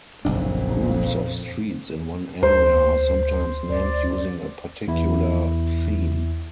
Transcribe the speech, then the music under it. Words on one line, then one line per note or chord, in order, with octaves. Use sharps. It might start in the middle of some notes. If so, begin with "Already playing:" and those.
Groups of streets in one area are sometimes named using a particular theme.
F#1 B1 F2 A#2 D4
D2 C5
D2 D5
E2 E4